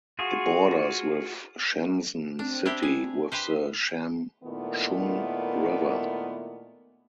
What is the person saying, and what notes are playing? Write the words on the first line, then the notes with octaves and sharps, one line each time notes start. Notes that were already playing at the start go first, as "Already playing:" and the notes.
It borders with Shenzhen city with the Sham Chun River.
F4 F#4 G#4
C4 D4
D4 E4 G4
G#4
G4 B4 C5
A#2 D#3 A3 B3 D#4 E4